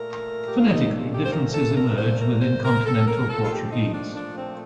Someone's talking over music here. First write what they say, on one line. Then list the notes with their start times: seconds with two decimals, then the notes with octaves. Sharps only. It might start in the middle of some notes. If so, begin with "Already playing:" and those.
Phonetically, differences emerge within Continental Portuguese.
Already playing: A#2 A3 A#4
0.47 G4
0.58 F4
0.68 D#4
1.11 G4
1.25 C5
1.33 A#4
1.54 A4
1.77 A#4
1.98 C5
2.20 A#4
2.41 C5
2.64 A#4
2.86 A4
3.07 A#4
3.29 A#2 F3 A3 A4
3.42 F4
3.51 G4
3.73 D#4
3.93 D4
4.15 D4
4.37 C4